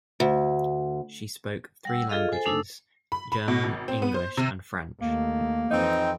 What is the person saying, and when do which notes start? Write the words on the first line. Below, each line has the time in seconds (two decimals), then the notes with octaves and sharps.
She spoke three languages: German, English, and French.
0.20 D2
1.85 G3 F#5 E6
2.09 F4 G#4 A4 D#5 F5
2.32 A4 C5 G#5
2.45 A3 D4 D#4 A4 E6
3.12 B5
3.32 B5
3.48 B2
3.64 G#1
3.88 C4
4.02 B3
4.14 C5
4.37 C3
5.01 D#2 A3 A#3
5.71 F2 E3 C4 D#4